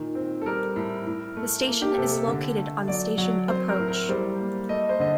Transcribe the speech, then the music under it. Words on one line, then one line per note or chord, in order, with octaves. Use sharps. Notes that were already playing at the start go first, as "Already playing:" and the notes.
The station is located on Station Approach.
Already playing: A#2 D#3
C4
A4
G3 A#4
A2
A2
A3
A#3
G4
C3 A4
A4
D3
A3
F#3 D5
F#3
C4 C5
A#4
A2
A#4
G3 C5
A#3
A3 D#5
C5
D3 D#5